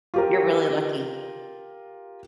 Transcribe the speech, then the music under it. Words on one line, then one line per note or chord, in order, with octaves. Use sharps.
You're really lucky.
F4 G4 A#4